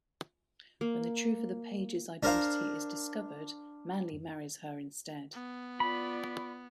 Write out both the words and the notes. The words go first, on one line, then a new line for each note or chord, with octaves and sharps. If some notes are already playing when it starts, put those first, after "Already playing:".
When the truth of the page's identity is discovered, Manly marries her instead.
A#3
D4 A#4 C5 F5
B3
F4 D5 B5